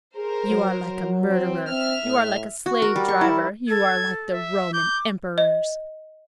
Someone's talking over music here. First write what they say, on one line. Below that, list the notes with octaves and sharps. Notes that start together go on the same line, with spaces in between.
"You are like a murderer--you are like a slave-driver--you are like the Roman emperors!"
G#4 A#4 C5
F#3
F#3
C4
C4 E5 F6
A2
F#4
A#4
G3
C#6
E4
A4 G#6
E5
D6 G6
D#5